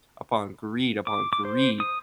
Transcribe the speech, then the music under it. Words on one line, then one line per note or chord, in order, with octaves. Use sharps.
upon greed, upon greed,
D6
D6
C5
D#6